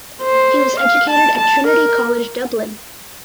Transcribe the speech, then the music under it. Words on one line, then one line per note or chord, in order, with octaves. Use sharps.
He was educated at Trinity College Dublin.
C5
F5
A5
A5
A#4